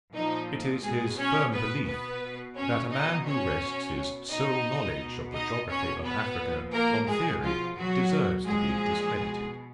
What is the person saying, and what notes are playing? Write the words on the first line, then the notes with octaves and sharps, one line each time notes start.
It is his firm belief, that a man who rests his sole knowledge of the geography of Africa on theory, deserves to be discredited.
A#2 F3 D#4
B2 G#3 G#4
C#4 C#5
B2 B3 B4
B3 B4
B2
C#4 C#5
B2 D#4 D#5
C#4 C#5
B2
B2 D#4 D#5
B2
D#4 D#5
B2 C#4 C#5
B3 B4
A#2 F3
A#3 A#4
B2 G#3 G#4
F3 F4
B2 F#3 F#4
A#2 F3 G#3 G#4
B2